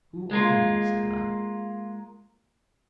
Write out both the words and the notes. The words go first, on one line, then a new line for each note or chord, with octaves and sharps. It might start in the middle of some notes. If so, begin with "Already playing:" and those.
"Who are you?" said I.
G#3 A#3 F4